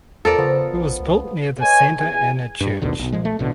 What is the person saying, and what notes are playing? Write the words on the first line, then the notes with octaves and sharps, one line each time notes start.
It was built near the Santa Ana Church.
E2 F3 A4 A#4 D5
C#3 F3 B3
A#1
C#2
B4 C#5 D#5 G#5
E2 G#5
G2
A1 D#2 B2 D3
B1
A#2 F3 G#3
A3
A1 B2 D3